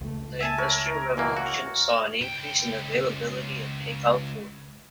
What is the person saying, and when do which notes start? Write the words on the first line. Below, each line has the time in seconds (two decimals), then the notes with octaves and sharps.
The Industrial Revolution saw an increase in the availability of take-out food.
0.01 C#2 A3
0.41 E5 G#5 A5
0.58 A#4 C#5
1.17 B2 E3 A#3
1.37 F#4
2.21 C#2 G5